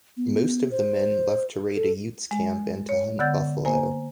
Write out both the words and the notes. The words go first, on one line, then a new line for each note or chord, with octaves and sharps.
Most of the men left to raid a Utes camp and to hunt buffalo.
B3
C5
A4
G#3
C#5
D3 B3 F#5 E6 G6 A6
A#3 C5 G#5